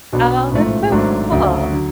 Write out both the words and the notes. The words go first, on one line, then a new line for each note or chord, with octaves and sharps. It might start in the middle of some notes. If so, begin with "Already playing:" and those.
Oh, that's so cool.
B1 B2 F#3 B3 D4
A1 G#2 F3 A3
G#1 G#2 F#3 A3 D4
D2 C#3 F#3
D3 F#3